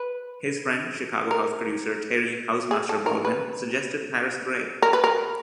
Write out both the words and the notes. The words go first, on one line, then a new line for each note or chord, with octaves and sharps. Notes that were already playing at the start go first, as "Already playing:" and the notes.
His friend, Chicago house producer Terry 'Housemaster' Baldwin suggested Paris Grey.
Already playing: B4
A#4
G#4
A4
A#4
B4
A#4
B4
A#4